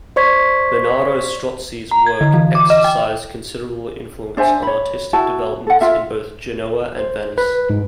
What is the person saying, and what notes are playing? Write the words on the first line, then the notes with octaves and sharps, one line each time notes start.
Bernardo Strozzi's work exercised considerable influence on artistic developments in both Genoa and Venice.
C5 D5 C#6 G#6 B6
A#5
G#6
D3
E3
D6
D#5
G5
D4 C5 E5 G#5
C#5 B5
E4 F#4 A5
A4 F#5
F4 E5
C5
B4
G#2